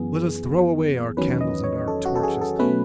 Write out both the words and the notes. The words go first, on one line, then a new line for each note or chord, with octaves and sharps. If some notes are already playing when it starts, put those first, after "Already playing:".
Let us throw away our candles and our torches.
Already playing: F#2 E3 B3 G#4
E2 D#3 F#3 C#4 B4
D#5
C#5
A4
F#4
A4
G#4
A4
B2 F#3 A3 C#4 B4